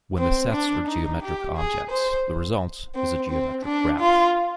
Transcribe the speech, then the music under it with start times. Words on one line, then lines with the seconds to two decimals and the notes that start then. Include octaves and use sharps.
When the sets are geometric objects, the result is a geometric graph.
0.18 C4
0.53 D4
0.87 D#4
1.22 G4
1.57 G#4
1.91 C5
2.96 C4
3.30 C4
3.65 D4
4.00 F4